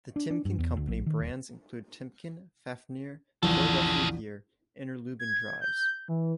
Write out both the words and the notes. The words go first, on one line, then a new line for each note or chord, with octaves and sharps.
The Timken Company brands includes Timken, Fafnir, Philadelphia Gear, Interlube and Drives.
D4
D4
G2
E2
D2
A#1
D#3
D#1
A#1 E2 C#3 A4
G#6
G6
E3